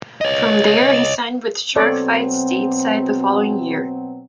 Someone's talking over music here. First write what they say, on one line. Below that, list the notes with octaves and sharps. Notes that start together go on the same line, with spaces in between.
From there, he signed with Shark Fights stateside the following year.
C#5 D#5
B2 F#3 C4 A4 C#5 D5